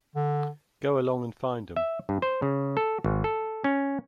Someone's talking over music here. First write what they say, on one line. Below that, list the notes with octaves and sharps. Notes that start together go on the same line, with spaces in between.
Go along and find 'em.
D3
E5
G2
C5
C#3
A4
G#1
A4
C#4